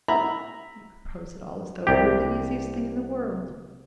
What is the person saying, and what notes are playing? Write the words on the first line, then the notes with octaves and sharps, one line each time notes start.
"You propose it all as though it were the easiest thing in the world."
E5 A#5 B5
C2 G4